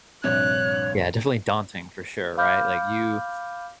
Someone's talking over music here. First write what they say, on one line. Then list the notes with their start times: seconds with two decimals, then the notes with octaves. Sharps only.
Yeah, definitely daunting for sure, right? Like you
0.24 A#1 G2 C3 C#5 F#6
2.37 F5 B5 D6 F6 G6